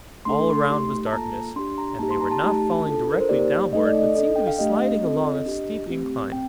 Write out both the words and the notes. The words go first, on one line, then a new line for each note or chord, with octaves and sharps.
All around was darkness, and they were not falling directly downward but seemed to be sliding along a steep incline.
A3 D4 A4 C6
C6
A3 D#4 G4
A5
A#3 F4 A4 A#5
D4 G4 C6
A#5
A#3 D#4 G4 A5
C6
A#5
A5
A3 D#4 G4
D4 F4 A4
A#4
C5
A#3 D#4 G4 D5
A3 D#4 A4 D#5
D5
D#5
D4 A4
G5
F5
A3 D4 G4 D#5
C4 F4 A4
D4 G4
A3 C4 G4
C4 G5